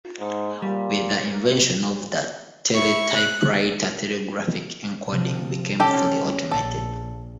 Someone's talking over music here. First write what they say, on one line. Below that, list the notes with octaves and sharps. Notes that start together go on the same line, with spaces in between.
With the invention of the teletypewriter, telegraphic encoding became fully automated.
G#2
A#2 G3
E4 C#6
F#6
C3 F3
C#4 G4 A4 G5
A#1 A4